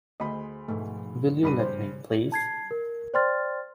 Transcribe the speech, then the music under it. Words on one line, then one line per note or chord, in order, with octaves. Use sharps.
Will you let me, please?
D2 G#4 C5 D#5 B5 C6
G#2 B2 F3 A3
G2 C#3 B5 D#7
C5
A5 G#6 C7
A#4
C5 D5 G5 C6 F6 A6